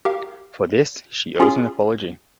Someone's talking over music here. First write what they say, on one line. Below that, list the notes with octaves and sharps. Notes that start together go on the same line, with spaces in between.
For this she owes an apology.
G4 A#4 F5
C#4 F4 G4 G#4